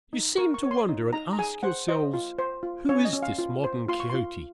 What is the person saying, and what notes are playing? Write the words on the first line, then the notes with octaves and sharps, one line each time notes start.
You seem to wonder and ask yourselves who is this modern Quixote.
D#4
A#4 C#6
C#6
C#5
C6
D#4
D#4 A#5
A#5
G#4 G#5
C5 F#5
C5 D#5
F4
C5
F4
C#4 C#5
D#5
C#4
F5
F4
C5
F4 C6
C#6
C6
F4